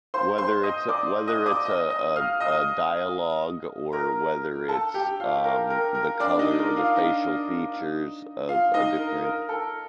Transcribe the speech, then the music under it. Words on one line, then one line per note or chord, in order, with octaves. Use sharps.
Whether it's a whether it's a a a dialogue or whether it's, um, the color or the facial features of a different
C5 C6
C5 C6
D#5 D#6
D5 D6
D#5 D#6
D5 D6
D#5 D#6
D#5 D#6
F5 F6
D#5 D#6
A#4 A#5
A4 A5
G4 G5
F4 F5
A#4
A#4
A#4
D4 D5
D#4 D#5
A#4
F4 F5
D#4 D#5
F4 F5
D#4 D#5
A#4
A#4
A4